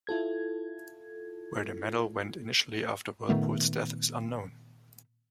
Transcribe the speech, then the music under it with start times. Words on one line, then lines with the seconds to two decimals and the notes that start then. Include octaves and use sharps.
Where the medal went initially after Whirlpool's death is unknown.
0.07 E4 F4 A4 G#6
3.29 A#2 D#3 A3 B3